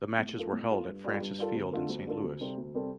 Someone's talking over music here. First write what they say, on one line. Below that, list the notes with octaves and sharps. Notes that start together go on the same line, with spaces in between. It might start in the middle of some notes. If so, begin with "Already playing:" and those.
The matches were held at Francis Field in Saint Louis.
A2
A3 F4 A4
A2
A3 F4 A4
G2
G3 F4 A4
G2
G3 F4 A4
D2
D3 A3 F4 A4
D2
D3 A3 F4 A4
D2
C3 G3 C4 A4
D2
C3 G3 C4 A4